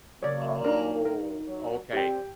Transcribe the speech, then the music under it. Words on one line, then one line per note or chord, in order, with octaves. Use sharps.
Oh, okay.
C#3 F#3 A#3 C#5 D5
D4 D#4 A#4
A#4
F#3
C4 G4 D5 G5